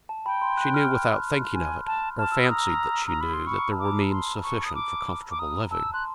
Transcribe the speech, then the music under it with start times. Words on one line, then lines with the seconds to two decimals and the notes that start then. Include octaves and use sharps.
She knew without thinking of it,--or fancied that she knew, that there were means sufficient for comfortable living.
0.09 A5
0.26 G5 B5
0.42 C6
0.57 F#6
0.74 F6
1.54 G#5
1.87 A5
2.18 A5 F6
2.32 E6
2.39 B5 D#6
2.51 A#5
2.56 E6
3.07 A#5
3.21 B5
3.33 C6
3.47 B5 C#6
3.59 A#5
3.72 A5
3.79 D6
3.85 A#5
4.11 C6
4.43 C#6
4.64 D#6
4.75 D6
5.31 D6
5.39 A#5 D#6
5.71 A5 E6
5.93 C6 F#6